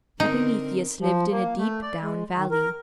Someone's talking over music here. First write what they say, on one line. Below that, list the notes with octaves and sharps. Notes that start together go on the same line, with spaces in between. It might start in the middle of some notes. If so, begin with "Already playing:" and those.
Epimetheus lived in a deep-down valley.
D3 C4 D#4 A#4
F3
A#3
A3
D5
G#3
D#3
A#4